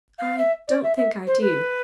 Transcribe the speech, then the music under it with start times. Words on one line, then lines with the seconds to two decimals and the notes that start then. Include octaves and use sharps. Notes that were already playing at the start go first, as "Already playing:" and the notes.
'I don't think I do.
0.19 F5
0.38 E5
0.68 D5
0.83 E5
0.97 E5
1.27 C5
1.41 B4